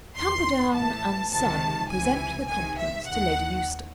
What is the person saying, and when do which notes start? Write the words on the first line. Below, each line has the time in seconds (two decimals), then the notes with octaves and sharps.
Camperdown and Son present their compliments to Lady Eustace.
0.15 E2 D#3 C6
0.73 A1 A2 E3 A5
1.32 C#2 C3 D#3 A5
1.90 C#2 C3 E3 G#5
2.48 C2 C3 D#3 G#5
2.78 E5
3.06 D#2 D#3 F#5